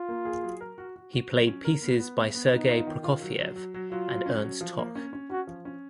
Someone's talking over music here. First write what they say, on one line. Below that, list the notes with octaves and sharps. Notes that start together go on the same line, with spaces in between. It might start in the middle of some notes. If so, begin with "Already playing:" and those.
He played pieces by Sergei Prokofiev and Ernst Toch.
Already playing: F4
A#3
G#4
F#3
A#4
F#4
F#4
F#4
F#3
C#4
A#4
B3
B3
B3
B3
B3 D#4
F4
D#3
F4
F#3
F#3
F#3
F#3
F#3 F4
F#3
C#4
F#3
F3
A#3
C#4
C#4
C#4 F#4
F3
C#4